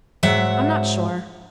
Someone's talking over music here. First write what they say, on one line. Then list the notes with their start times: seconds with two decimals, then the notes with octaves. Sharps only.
I'm not sure.
0.23 G#2 F#3 E5 F#5